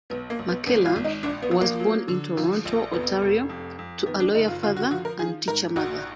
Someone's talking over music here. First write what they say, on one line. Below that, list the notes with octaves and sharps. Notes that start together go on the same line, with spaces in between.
McKellar was born in Toronto, Ontario to a lawyer father and teacher mother.
B1 B3
A#3
B1
B3
G#1 B3
F4
G#1
D#4
A#1 D4
B3
F3
A#3
F#3
D3
F3
A#1
F1 B3
F1
F2
F2
D#3 B3
D4
F#1 D#4
F4
D3 F4
F#4
F3 F#4
A#4
D#3 G#4
G#2 A#4
A#1 F#4